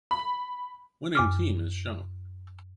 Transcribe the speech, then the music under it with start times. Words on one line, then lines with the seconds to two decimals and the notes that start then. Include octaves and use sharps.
Winning team is shown.
0.11 B5
1.15 F#2 D6 F6